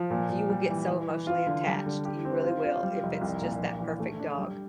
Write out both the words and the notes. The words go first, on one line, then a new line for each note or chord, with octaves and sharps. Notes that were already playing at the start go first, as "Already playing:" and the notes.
you will get so emotionally attached, you really will, if it's just that perfect dog,
Already playing: F3
A#2
A#2
G3
E3
E3
E3
F4
D3
G3
D3
G4
C4
F4
F4
G3
F1
C2
A#2
A#1
E3
A3
D4
G3